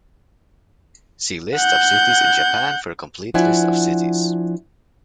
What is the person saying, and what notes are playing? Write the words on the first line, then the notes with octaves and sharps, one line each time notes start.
See List of cities in Japan for a complete list of cities.
F#5 G6
F3 D4 E4 F#5 G#5